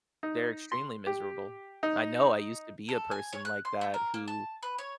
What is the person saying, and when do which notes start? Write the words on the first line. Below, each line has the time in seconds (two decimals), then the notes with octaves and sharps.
They're extremely miserable. I know, I used to be a person like that who
0.23 D#4
0.72 C6
1.07 G4
1.83 D#4
2.89 A4
3.11 G#5
3.33 C#5
3.45 F#6
3.65 C6
3.81 A3
3.94 A#4
4.14 A#3
4.28 A5
4.63 B4
4.78 C#5